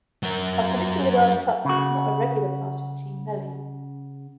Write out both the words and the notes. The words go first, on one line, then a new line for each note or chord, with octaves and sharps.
After missing the World Cup, he was not a regular part of Team Melli.
F#3 A#4
C#3 F#4